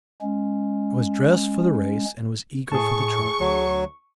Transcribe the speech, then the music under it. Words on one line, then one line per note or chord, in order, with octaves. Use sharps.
I was dressed for the race and was eager for the trial.
G#3 C#4
A2 G#4 A5 C#6
D2 F#3